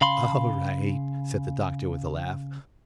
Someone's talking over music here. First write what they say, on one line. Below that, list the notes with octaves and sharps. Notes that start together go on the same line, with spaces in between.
"All right," said the Doctor with a laugh.
C#3 F5 B5 C6